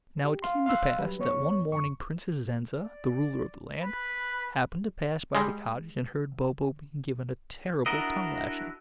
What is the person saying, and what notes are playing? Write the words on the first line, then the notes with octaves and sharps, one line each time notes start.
Now it came to pass that one morning Princess Zenza, the ruler of the land, happened to pass by the cottage and heard Bobo being given a terrible tongue-lashing.
G4
F5 C6
F5 C6 E6 F#6
F#3 G3 B4
E2 B3 C#5 C#6
F2 C#6
D5
B4
G3 G#3
D4 E4 F#4 A#4 D#5